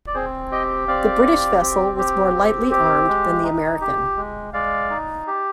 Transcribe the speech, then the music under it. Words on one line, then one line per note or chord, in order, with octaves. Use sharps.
The British vessel was more lightly armed than the American.
D5
C4 G#4 C5
G4 D#5 G5
C4 D5 F5
G4
C4
G4
C4
G4
G#3
D#4
G4
G#3
G#3 D5 F5
D#4
G4